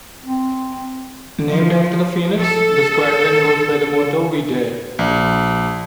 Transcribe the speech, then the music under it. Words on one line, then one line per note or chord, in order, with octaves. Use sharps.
Named after the Phoenix, the squadron goes by the motto "We Dare".
C4
F3
A4
A#1